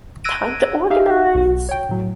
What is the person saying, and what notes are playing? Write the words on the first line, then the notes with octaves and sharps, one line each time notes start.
Time to organize!
E6 F#6 G#6 A#6 D7 D#7
D#4 G4 E5 F5
B1
C#5 G5
A2 F#3